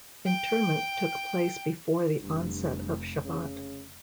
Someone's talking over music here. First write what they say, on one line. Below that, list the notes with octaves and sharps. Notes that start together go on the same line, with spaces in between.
Interment took place before the onset of Shabbat.
G5
F1 G2
C#3